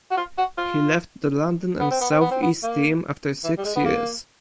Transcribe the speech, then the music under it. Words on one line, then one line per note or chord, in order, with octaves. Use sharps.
He left the London and South East Team after six years.
F#4
F4
F#4
F4
B3
C4
B3
C4
B3
C4
B3
A#3
E3
G3
G#3
B3
A#3